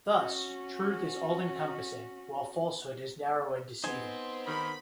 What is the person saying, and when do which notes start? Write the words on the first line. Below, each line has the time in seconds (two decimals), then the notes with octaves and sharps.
Thus, truth is all-encompassing, while falsehood is narrow and deceiving.
0.16 C#4 F#4
3.84 B3 C4 D#4 C5 G#5
4.47 D#3 B5